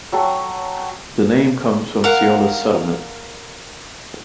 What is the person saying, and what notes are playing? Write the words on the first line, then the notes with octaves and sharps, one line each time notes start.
The name comes from "Ceola's settlement".
F#3 A4 G5 C#6
A#4 F5 F#5